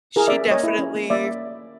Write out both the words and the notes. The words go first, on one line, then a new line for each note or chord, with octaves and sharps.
she definitely,
E4 G#4 A#4
D5 E5
C#4
A#3 C#5 D#5
E4
C#4
A#3
A#3 D5 E5